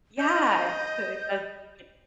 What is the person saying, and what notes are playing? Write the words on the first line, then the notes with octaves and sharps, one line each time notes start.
Yeah, so it has e
D#5 G6